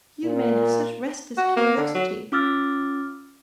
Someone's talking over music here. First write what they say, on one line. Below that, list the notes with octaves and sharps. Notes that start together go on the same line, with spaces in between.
You men have such restless curiosity!
A#2
F#4
A#3
D3
F#3
C#4 F4 D6 E6 F6 A6